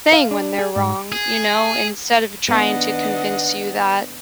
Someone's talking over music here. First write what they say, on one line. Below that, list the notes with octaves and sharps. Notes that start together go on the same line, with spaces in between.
saying when they're wrong, you know, instead of trying to convince you that
F5
D4
G#4
G#2
G#4
D#3 B3 D4 D#5 F#5